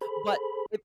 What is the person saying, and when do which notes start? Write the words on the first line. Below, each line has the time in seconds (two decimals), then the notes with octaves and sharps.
but i
0.01 G#4 A4 C5 B5